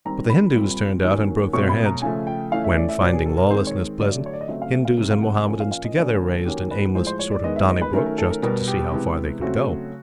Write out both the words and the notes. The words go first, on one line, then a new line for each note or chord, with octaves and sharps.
But the Hindus turned out and broke their heads; when, finding lawlessness pleasant, Hindus and Mahomedans together raised an aimless sort of Donnybrook just to see how far they could go.
D#3 G3 C4 A#5
B5
A#2 G3 C4
D#3 F#3 A#3 C#4
B2 F#3 A3 C4 C#6
B5
A#5
C#3 F3 A3 G#5
G5
E3 A3 C#4 F5
E5
D5
E5
B2 F#3 B3 D5
G#4
A4
A#4
D#3 G#3 C4 C5
C#5
D3 F#3 A3 D5
C#5
D5
D#5
C#3 F#3 A3 C4 E5
F5
E5
F5
C3 D#3 G3
F5
F#5
F#5
A#2 F3 A#3 C#4
F5
F5
D#5
D3 F#3 A#3 C#4 D5
A#4
A4
D#3 F#3 A#3 C#4 G4
B4
A2 F3 G#3 C5
C5
C#5
D5
D#3 G#3 B3 D#5
E5
D#5
B4
D#3 F#3 A3 C#4 A#4
A#4
A4
A#4
B2 G3 B3 A#4
G4
C3 E3 G#3 B3
C#3 F#3 A3 C4 F#4